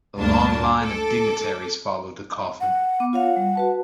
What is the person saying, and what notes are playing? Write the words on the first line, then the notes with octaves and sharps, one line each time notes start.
A long line of dignitaries followed the coffin.
D2 G2 A#3 D4 A5
A4 D6
F#5
B3 D6
F4 C#5 F5 F#5
G3
F#4 B4 A5